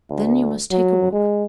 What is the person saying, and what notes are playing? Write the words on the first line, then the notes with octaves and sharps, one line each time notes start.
Then you must take a walk.
D2
F#3
G#3